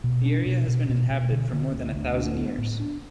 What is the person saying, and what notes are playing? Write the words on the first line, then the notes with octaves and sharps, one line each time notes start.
The area has been inhabited for more than a thousand years.
B2
D4
B2
B2
B2
B2
D3
D3
D2
D2
D4
B3
A2
D4